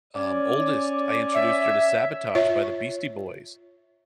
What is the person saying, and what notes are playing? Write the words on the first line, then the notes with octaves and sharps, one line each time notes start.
um, oldest, I introduced her to "Sabotage" by the Beastie Boys,
C#4 D5
E5
F4 C#5 E5